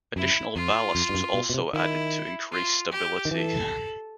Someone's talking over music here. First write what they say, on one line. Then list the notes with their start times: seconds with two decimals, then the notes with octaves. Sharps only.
Additional ballast was also added to increase stability.
0.16 F#2 E4
0.55 F2 F4
0.95 F2
1.09 G2
1.15 F#2
1.34 B2
1.49 B2
1.54 C3
1.73 D#3 E4
2.53 F4
2.92 G4
3.25 D#3
3.31 E3 A4